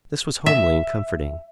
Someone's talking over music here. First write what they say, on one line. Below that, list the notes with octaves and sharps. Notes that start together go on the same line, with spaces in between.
This was homely and comforting.
E5